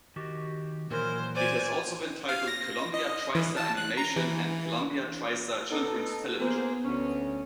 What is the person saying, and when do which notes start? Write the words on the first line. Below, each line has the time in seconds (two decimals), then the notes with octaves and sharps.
It has also been titled "Columbia TriStar Animation" and "Columbia TriStar Children's Television".
0.16 D#3 F#4 G4
0.91 A#2 E3 F#3 A#4 C5
1.35 C5 D5 G#5
2.29 F5
2.48 A#6
2.94 D#5
3.35 E3
3.57 A5
3.77 F#6
3.97 A#5
4.16 E3
5.70 B3 D#4 A4
6.40 A#3 B3 G#4 C5
6.84 D2 C#4